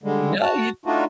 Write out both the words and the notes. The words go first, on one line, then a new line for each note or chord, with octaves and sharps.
No, you
D3 G3 G#3
F#4 A5
A3 D4 D#4 F4 F#4